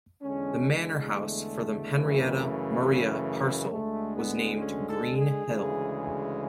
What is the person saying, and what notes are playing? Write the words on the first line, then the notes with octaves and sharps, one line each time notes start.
The manor house for the Henrietta Maria parcel was named Green Hill.
E2 D3 G#3 C#4
A3
F#2 C#3 E3
D2 D3 G#3 A3
B3
C#4
A4
G#4
D2 C#3 E3 G#3